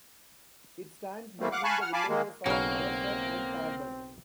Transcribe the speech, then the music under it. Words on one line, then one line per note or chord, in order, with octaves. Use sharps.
It stands between the villages of Arrochar and Tarbet.
E2 E3 G3 A3 A#3 C4
F5 F#5 D6 F#6
F5 G#5 A5 B5 C#6 F#6
F#5 F6
F5 G#5 A5 B5 D6
D#3 G#3 A#3
B1 C#3 F#3 A#3 C4 F#4 F5